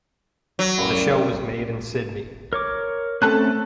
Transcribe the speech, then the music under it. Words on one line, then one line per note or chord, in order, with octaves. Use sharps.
The show was made in Sydney.
F#3
F#2 C#3 G3
A#4 C#5 D6
A3 C4 C#4 A4 A5 F#6